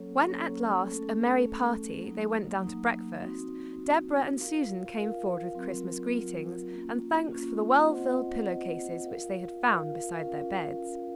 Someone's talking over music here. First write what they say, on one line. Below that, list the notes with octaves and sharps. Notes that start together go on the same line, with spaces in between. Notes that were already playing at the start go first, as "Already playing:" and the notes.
When at last, a merry party, they went down to breakfast, Deborah and Susan came forward with Christmas greetings, and thanks for the well-filled pillow-cases which they had found beside their beds.
Already playing: F#3 A#3 C#4 A4 C#5
F#3 A#3 C#4 A4 C#5
A3 C#4 A4
A3 C#4 A4
F#3 A#3 D#4
F#3 A#3 D#4
C4 D#4 F#4
C4 D#4 F#4
F4 A#4 F5
F4 A#4 F5
F#3 C4 F4 A#4
F#3 C4 F4 A#4
A#3 C#4 F4
A#3 C#4 F4
C4 F4 C5 D#5 F#5
C4 F4 C5 D#5 F#5
F4 A#4 F5
F4 A#4 F5
C#4 F4 A#4 F5
C#4 F4 A#4 F5